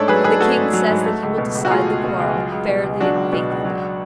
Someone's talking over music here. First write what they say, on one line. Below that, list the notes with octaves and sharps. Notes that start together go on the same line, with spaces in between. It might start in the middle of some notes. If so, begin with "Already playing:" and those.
And the King says that he will decide the quarrel fairly and faithfully.
Already playing: G#2 A3 D4 A4 C#5
F#3 G#4 B4
G#2 G#4 B4
A3 F#4 A4
G#2
F#3
G#2
A3
C#2
B2
C#2
F#4
A3 F4 G#4
C#2
B2
C#2
F#3
C#2
B2
C#2
F#3 D4 F#4
C#2
B2
C#2
F#3